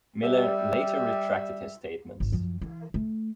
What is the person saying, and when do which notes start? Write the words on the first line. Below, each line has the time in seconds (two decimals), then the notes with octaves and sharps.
Miller later retracted his statements.
0.23 G3 E5
2.20 G#1
2.32 F#2 F3
2.61 E3
2.94 A3